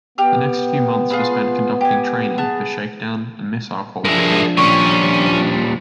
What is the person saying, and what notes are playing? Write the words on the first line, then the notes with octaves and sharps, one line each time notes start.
The next few months were spent conducting training for shakedown and missile qualification.
B3 G4 F6
F4 G#4 B4
G4 G#5
B3 G#4 A5
G2 F3 A#3 D4 G#4 E5
A#2 G3 C#4 C#5 C#6